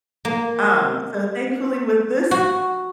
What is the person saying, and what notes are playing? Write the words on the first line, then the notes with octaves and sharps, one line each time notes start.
Um, so thankfully, with this,
A#3
F#4